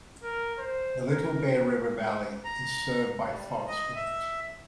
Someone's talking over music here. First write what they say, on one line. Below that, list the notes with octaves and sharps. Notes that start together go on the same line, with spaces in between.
The Little Bear River valley is served by forest roads.
A#4
C5
A#4
A#5
G3
D#5
E5